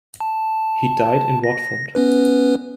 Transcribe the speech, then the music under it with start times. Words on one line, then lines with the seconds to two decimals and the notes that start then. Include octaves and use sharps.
He died in Watford.
0.20 A5
1.44 A#6
1.95 B3 C#4 B4